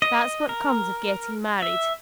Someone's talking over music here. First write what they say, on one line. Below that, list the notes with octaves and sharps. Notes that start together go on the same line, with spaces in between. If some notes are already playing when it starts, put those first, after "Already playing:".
That's what comes of getting married.
D#5
A#4
E5